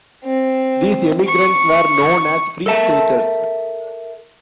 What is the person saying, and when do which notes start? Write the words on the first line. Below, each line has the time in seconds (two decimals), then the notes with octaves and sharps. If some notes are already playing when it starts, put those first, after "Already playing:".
These emigrants were known as Free-Staters.
0.24 C4
1.27 C#6
2.66 A4 A#4 E5 A5